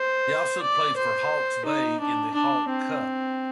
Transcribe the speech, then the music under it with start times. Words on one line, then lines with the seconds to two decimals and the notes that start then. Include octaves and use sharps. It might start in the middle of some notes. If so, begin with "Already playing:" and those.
He also played for Hawke's Bay in the Hawke Cup.
Already playing: C5
0.62 D5
0.96 C5
1.65 D#4
2.00 D4
2.34 D4
2.69 C4